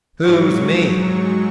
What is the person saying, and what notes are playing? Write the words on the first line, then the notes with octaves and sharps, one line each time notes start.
"Who's me?"
G#2 F#3 C#6